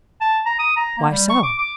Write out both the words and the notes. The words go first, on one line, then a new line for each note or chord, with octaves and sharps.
"Why so?"
A5
A#5
D#6
A#5
A#3
G3
C#6
D6
D6